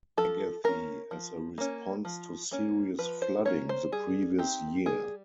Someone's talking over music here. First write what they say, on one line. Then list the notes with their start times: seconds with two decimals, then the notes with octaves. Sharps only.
Agathe, as a response to serious flooding the previous year.
0.17 F3 A4
0.64 A#3 C#4 A#4
1.11 F3
1.58 A#3 C#4
2.05 F3
2.51 A#3 C#4
2.99 F3 B4
3.22 C5
3.45 A#3 C#4 C#5
3.69 C5
3.92 G3 G#4
4.39 C4 D#4 G4
4.86 G3 G#4